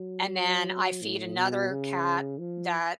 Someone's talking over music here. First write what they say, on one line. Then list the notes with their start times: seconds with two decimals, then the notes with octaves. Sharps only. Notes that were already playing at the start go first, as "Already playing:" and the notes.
And then, I feed another cat that
Already playing: F#3
1.02 A2
1.36 B2
1.70 C#3
2.38 F3